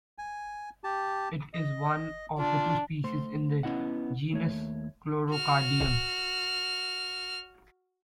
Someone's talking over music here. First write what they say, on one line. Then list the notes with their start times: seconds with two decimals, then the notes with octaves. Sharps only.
It is one of two species in the genus "Chlorocardium".
0.18 G#5
0.84 G4 A5
1.53 D#5
2.38 D4 F4
3.04 A3 C5 C6
3.63 B3 C#4 E4 D#5 F#5
4.32 D#2 A3 C#5
5.30 F#4 F6